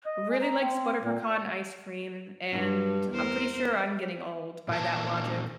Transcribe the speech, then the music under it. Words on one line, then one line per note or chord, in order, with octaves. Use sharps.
really likes butter pecan ice cream, and I'm pretty sure I'm getting old by that logic.
D#5
G#3
A#5
C4
A#2
C#6
G2
E2 A#4 C5
A#2 E3 A5